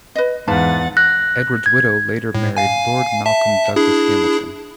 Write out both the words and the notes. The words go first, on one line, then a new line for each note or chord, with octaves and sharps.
Edward's widow later married Lord Malcolm Douglas-Hamilton.
B4 D#5
E2 G#2 B4 F5 F#5 A5 A6
F#6 A#6
G#6
A2
F5 G#5
E5 A5
D4 E4 G#4